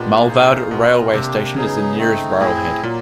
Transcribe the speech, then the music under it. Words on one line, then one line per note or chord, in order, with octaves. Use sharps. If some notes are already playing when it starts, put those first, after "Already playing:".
Mulvad Railway Station is the nearest railhead.
Already playing: A#2 G#3 B3 D4 G4
D#4 G#4 C5 F5
B2 C#4 F4 A#4 D#5
C3 A#3 D4 G4
C#3 F#3 B3 D#4 G#4
A3 C4 D#4
A2 C4 E4 G#4
A#2 F#3 A#3